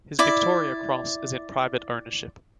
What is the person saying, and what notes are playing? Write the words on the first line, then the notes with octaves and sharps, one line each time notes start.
His Victoria Cross is in private ownership.
E4 D5 D6